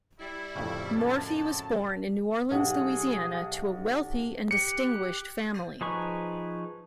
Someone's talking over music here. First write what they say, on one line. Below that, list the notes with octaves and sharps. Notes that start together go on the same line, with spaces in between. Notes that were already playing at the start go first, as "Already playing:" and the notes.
Morphy was born in New Orleans, Louisiana, to a wealthy and distinguished family.
G3 E4
F2 A2 C#3
F#2 A5
B1 G4 G#4 F#5
G4 F#6 C#7
F3 D#4 G#4 B4 C#6